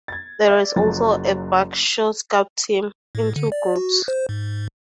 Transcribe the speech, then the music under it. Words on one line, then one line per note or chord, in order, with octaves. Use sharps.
There is also a Buckshaw Scout team, in two groups.
G#6 A6
D5 E5
F#1 F3 F#3 A6
A2
D3
D5
F#4
C5
G#2